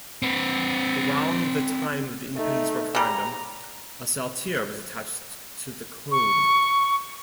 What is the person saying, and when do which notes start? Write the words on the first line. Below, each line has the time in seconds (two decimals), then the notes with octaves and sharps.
Around the time of the Independence Referendum, a saltire was attached to the cone.
0.22 C4 B4
2.36 A3 D#4
2.95 C#3 G3 A#5
6.12 C#6